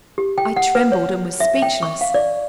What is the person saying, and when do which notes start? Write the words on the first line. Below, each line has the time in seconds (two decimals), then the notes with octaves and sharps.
I trembled, and was speechless.
0.18 G4
0.38 G5
0.56 F#5
0.75 B4
0.92 C#5
1.40 E5
1.62 G5
1.83 C#6
2.01 F5
2.14 D5